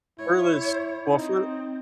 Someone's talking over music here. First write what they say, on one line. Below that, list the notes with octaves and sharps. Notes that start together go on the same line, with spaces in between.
Furthest well, fur
E4 C#5
C4 D#4